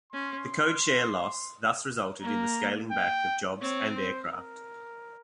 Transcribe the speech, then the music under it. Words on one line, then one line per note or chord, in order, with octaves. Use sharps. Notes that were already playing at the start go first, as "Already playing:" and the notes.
The code-share loss thus resulted in the scaling back of jobs and aircraft.
C#4 C6
A#3 A#5
G5
C4 C#5
C5
A#4